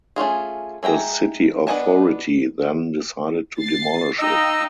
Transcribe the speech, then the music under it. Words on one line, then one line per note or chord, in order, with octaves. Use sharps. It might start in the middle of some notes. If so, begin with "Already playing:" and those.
The city authority then decided to demolish it.
A3 C#4 F4 G#4
G#3 E5 G5 A#5
B3 D4 D#5 G#5 A5
A6 C7
D#4 D#5 F5 G5 E6